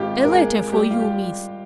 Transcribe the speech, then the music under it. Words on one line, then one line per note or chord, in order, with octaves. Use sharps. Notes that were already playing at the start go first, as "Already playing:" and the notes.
A letter for you, Miss.
Already playing: G#1 G#3 F4 G4
A#4
G#3 G#4
G3 G4
F4
G4
G3